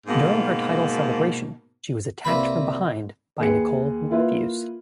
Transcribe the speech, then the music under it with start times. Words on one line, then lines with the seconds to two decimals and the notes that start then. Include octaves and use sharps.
During her title celebration, she was attacked from behind by Nicole Matthews.
0.07 G#2 B2 A#3
2.25 C2 A#3 E4 B4 B5
3.39 D#2 G#4 B4 C#7
4.10 A#3 E4 F4 B4 F5